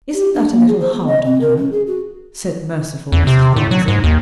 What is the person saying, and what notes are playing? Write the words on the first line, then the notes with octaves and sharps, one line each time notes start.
"Isn't that a little hard on her?" said merciful Mrs. Romsey.
G4
D4
A#3
G#4
C5
B3
D#5
C4
A#4
C#4
G#4
F#4
E2
C3
A2
F#3
G#2
D#2